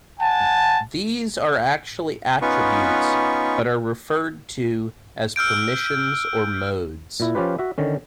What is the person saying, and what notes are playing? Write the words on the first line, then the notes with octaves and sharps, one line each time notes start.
These are actually attributes but are referred to as permissions or modes.
F#5 G#5 A5
B3 C#4 D#4 F4 B4 C#6
E6 F6 G6 D7
A#2 E4
F3 C#4 F4 G4 B4
F#4 E5
D3 D#3 C#4